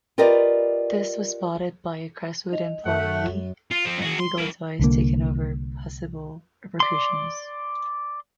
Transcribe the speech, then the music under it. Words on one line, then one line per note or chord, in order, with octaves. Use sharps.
This was spotted by a Crestwood employee, and legal advice taken over possible repercussions.
F4 G4 A#4 B4 D5 D#5
D#4 D#5 F7
F#2 A3 A4 F#5
F4
F3 C4
F#4 G#4
C6
E4 A#4
C2 D3 A#3
D5 C6